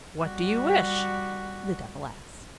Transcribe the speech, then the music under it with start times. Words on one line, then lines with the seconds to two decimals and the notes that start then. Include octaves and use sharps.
"What do you wish?" the devil asked.
0.21 G3 F#4